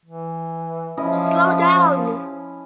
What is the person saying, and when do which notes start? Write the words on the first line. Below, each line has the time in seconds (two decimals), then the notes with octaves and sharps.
Slow down!
0.05 E3
0.97 F3 C#4 E4 D#5